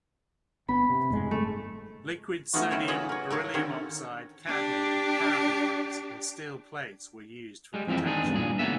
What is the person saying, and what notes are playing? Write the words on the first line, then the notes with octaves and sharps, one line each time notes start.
Liquid sodium, beryllium oxide, cadmium, paraffin wax and steel plates were used for protection.
G1 B3 B5
C3
F#1 G#2 G#3
A3
A3 B3 C#4 D#4 F4 F#4
C#3 F#3 E4 F#4 G5
F4 G#4 B4 D#5 F#5
A#4 C#5
A4 A#4 C#5 F5
D3 D#3 C4 C#4 A4 C#5
D4 G4
G3 G#3
F2 E3 F3 C4 E4
D#3 G#3 D4 G#4
E2 G2
G2 A#2 G#4
C#2 D#3 E3 A#3 B3 E5